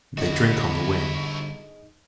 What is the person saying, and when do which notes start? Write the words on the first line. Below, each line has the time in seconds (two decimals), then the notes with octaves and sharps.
They drink on the wing.
0.18 G2 D3 D#4 E4 F#4 G#4 D#5